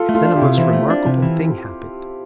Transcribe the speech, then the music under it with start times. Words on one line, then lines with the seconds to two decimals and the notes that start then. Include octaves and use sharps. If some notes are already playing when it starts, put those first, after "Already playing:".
Then a most remarkable thing happened.
Already playing: F4 A4
0.09 A3
0.15 F4 A4
0.25 D4
0.36 E4 G4
0.42 C3
0.58 E3 C4 E4
0.73 A3
0.90 D4
1.06 C3
1.22 E3